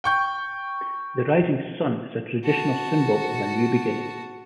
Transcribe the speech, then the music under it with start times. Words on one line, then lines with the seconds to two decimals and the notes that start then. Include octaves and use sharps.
The rising sun is a traditional symbol of a new beginning.
0.04 G5 C#6 G6
2.45 F#4 A5